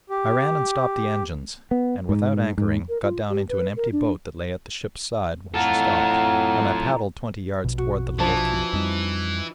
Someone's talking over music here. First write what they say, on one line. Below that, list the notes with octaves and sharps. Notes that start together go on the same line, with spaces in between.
I ran and stopped the engines, and, without anchoring, got down into an empty boat that lay at the ship's side when she stopped; and I paddled twenty yards toward the little quay.
G4
B3
G#2
G#2
A#4
F4
G4
B4
A#4
D4
A2 F4 A4 F#5 A#5
A#1 B2
F#4
E3 F3 D4 A5
F2 G3 D#4